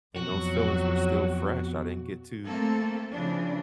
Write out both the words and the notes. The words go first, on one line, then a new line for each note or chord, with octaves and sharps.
And those feelings were still fresh. I didn't get to
F2 B2 F#3 F#4
A3 A#3 C4 A4
C#3 E3 F3 D4